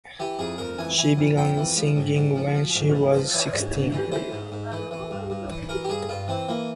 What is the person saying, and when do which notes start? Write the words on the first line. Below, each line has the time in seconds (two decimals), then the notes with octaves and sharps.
She began singing when she was sixteen.
0.20 E3 G4
0.39 F2 G#4
0.58 F2 A#4
0.78 E3 G#5
0.98 E3 G#5
1.17 F2
1.37 F2 G5
1.57 E3
1.77 F3
1.96 G#2
2.16 G#2
2.36 F3
2.55 F3
2.75 G#2
2.95 G#2
3.14 F3
3.34 E3 C#5
3.54 G#2
3.73 G#2
3.92 E3
4.12 E3 C5
4.32 G#2
4.52 G#2
4.72 E3
4.91 E3
5.11 G2
5.30 G2
5.50 E3
5.69 E3 A#4
5.84 G4
5.89 G2 G#4
6.09 G2 F4
6.28 E3 C4
6.49 E3 A#3